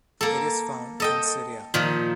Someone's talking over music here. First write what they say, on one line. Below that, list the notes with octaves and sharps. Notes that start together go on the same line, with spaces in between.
It is found in Syria.
A#3 A4
A4 D#5 G5
A#2 D#3 F3